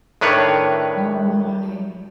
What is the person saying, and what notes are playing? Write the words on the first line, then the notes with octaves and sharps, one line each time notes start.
Oh my.
A2 D#3 D4 B4 C#5